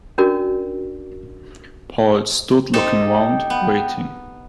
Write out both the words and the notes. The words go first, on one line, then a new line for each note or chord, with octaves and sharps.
Paul stood looking round, waiting.
C#4 D4 F#4 A#4 D5
D#4 G4 A4 C5
G5
B3